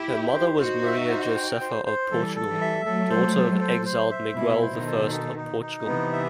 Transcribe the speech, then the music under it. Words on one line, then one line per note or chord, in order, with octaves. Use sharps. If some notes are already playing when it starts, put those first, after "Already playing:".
Her mother was Maria Josepha of Portugal, daughter of exiled Miguel I of Portugal.
Already playing: E4 G4
G5
C5
D#4 F#4 C5
E5
C5
G5
C5
C5
E3 G3 A4
A4
E3 G3
E5
F#3 A3 A4
C5
A4
C5
C5
E5
B2 E4
C5
B2 D#3
A4
D#4
D#4
D#4
C3 E3 B3
E5